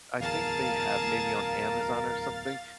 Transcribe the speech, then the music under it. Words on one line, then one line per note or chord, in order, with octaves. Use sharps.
I think they ha maybe on Amazon or something,
D1 E2 G#4 A#4 F5 A5 A6